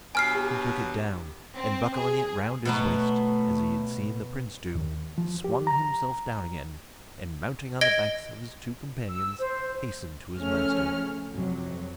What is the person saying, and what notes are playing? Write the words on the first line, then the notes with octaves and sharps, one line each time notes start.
He took it down, and buckling it round his waist, as he had seen the prince do, swung himself down again, and mounting on the backs of his two companions, hastened to his master.
G2 B2 F#3 G#5 F6 C7
G4
C4
G#4
B2 F#3 A3 B3
D#2
F3
G4
A#5
D#5 G#6 A#6 D7 G7
E6
C5
C#3 F3 A3 C#4 F6
F2 C3 F#3